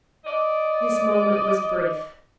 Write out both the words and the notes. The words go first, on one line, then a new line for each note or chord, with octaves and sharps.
This moment was brief.
D5 D#5